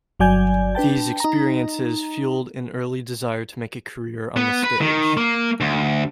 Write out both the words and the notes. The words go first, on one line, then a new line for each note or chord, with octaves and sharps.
These experiences fuelled an early desire to make a career on the stage.
G1 F#3 D5 G#5 G6
D4 B4 G5 A5
D#4 A#5
B3
B4
D#3
A#3
D2